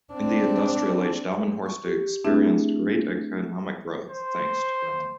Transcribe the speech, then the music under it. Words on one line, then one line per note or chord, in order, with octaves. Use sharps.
In the industrial age Delmenhorst experienced great economic growth, thanks to Bremen.
C4 D4
C#6
G4
A3 C4 D4 E4 G#4 E5
C5